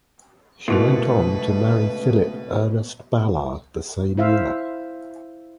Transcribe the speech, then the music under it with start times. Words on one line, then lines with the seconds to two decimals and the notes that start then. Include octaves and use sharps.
She went on to marry Philip Ernest Ballard the same year.
0.68 C#2 B2 A3 E4 F#4 A#4 B4
4.17 E4 C5 E5 F5